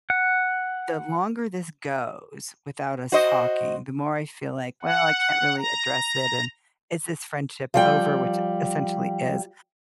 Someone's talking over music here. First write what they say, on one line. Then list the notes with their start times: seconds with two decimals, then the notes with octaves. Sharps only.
the longer this goes without us talking, the more I feel like, "Well, I can't really address it," and, "is this friendship over," which it essentially is,
0.10 F#5
3.12 F#4 C5 D#5
4.83 F#5
5.58 A#5
7.74 F3 G3 G5